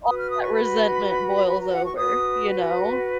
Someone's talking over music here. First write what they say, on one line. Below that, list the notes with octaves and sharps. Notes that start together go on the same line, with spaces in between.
all that resentment boils over, you know.
F#4 B4 D#6
F6
D#6
C#6
B5
B5
A#5
F#5
C#6
F#4 B4 D#6